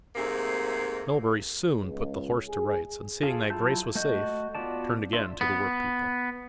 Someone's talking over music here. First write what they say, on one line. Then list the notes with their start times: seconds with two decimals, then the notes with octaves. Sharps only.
Melbury soon put the horse to rights, and seeing that Grace was safe, turned again to the work-people.
0.15 G#2 C3 A3 A#3
1.79 C#2
2.49 G#4
3.23 F4 G#4 A4 F5
3.50 F#3 E4 F4 A5 G6
3.95 A3 F#4 D#5 G6
4.55 B3 F4 F#4 D5 A5
5.13 D4 F4 D5 E5 C6
5.41 B3